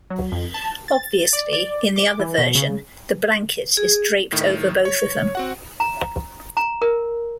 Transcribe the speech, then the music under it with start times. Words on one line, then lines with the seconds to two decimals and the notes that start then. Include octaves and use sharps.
Obviously, in the other version, the blanket is draped over both of them.
0.10 F#3
0.32 F2
0.54 A5
0.88 A6
1.33 D5
1.53 D5
1.96 D6
2.19 E3
2.38 B2
2.55 C#3
3.77 G#4
4.32 A2 D#3
4.85 C#5
5.35 C4 F#4 F#5
5.80 A#5
6.57 A#5
6.82 A#4